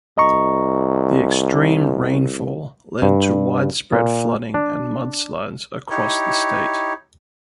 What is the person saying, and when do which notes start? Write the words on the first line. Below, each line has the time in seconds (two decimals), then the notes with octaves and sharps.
The extreme rainfall led to widespread flooding and mudslides across the state.
0.18 C2 D#5 A#5 C#6
3.02 G2
3.93 A#2
4.54 D4
5.90 D#4 E4 G4 C#5